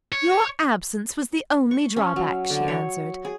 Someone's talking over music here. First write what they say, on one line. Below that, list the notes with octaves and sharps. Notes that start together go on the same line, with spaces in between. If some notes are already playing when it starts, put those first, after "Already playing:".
"Your absence was the only drawback," she answered.
C#5
C#6
C#4
F#3
D3
C#5
G#4